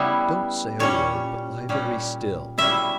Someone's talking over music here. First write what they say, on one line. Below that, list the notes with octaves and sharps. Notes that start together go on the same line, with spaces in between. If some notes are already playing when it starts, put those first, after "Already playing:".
"Don't say a word, but lie very still."
Already playing: C#3 G3 B3 E4
A#2 G3 C#4 C#5
A#2 G3 C#4
B2 G3 C#4 E4 E5